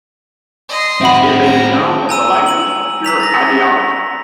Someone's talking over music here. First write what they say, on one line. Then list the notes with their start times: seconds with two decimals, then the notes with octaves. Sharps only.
It may be known as a language of pure ideology.
0.69 D#5 C6
1.01 C4 F#4 E5 F#5 B5
1.43 A#5
2.09 G#5 A#5 E6 D#7
2.46 D#7 F#7
3.04 A#5 B6 F7
3.20 A6 A#6